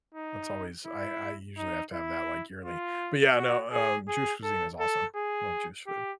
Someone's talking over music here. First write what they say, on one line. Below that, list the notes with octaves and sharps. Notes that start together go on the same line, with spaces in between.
that's always I I usually have to have that, like, yearly. But, yeah, no. Um, Jewish cuisine is awesome. Love Jewish food.
D#4
E4
D#4
E4
F4
F#4
G#4
G#4
A4
A4
G#4
G4